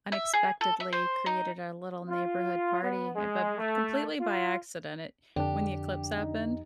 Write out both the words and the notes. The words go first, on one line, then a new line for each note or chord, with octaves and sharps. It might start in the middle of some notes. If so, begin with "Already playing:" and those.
unexpectedly created our little neighborhood party, ha but completely by accident, it When the eclipse happened
E5
G#4
A4
E5
C5
D#4
F4
B3
G#3
A3
F4
F2 D3 D4 G4
D#4